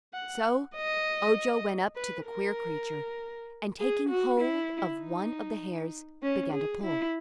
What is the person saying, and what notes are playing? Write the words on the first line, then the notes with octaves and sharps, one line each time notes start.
So Ojo went up to the queer creature and taking hold of one of the hairs began to pull.
F#5
D#5
B4
A#4
G#4
F#4
E4
D#4
C#4
G#4
E4